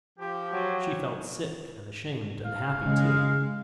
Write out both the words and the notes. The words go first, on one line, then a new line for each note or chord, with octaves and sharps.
She felt sick and ashamed and happy, too....
F3 G4
F#3
F5
C#3 G#3